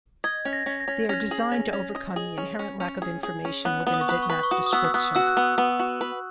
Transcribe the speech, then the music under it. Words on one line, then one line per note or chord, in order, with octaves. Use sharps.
They are designed to overcome the inherent lack of information within a bitmap description.
D#5 G#6
C#4
A#6
C#4
A#6
C#4
C#4 A#6
G#4
C#4
C#4
D#5
G#4
C#4
C#4
C#4
G#4
G#4
C#4
B3 F#6
B3
D#6
C#6
B4 D#6
C#6
B4
C#6
F#4 D#6
D#6
B3 E6
B3 F#6
F#4 E6
F#6
B3 E6
B3
F#4
B4